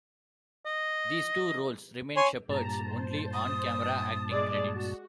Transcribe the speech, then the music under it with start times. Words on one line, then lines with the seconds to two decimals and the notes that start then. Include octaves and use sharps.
These two roles remain Sheppard's only on-camera acting credits.
0.66 D#5
2.16 C#5 G#5 C6
2.50 G2 A#2 G4 A5 A#5
2.89 C5
3.34 D#6
4.29 G#3 G#4 D5
4.73 F#4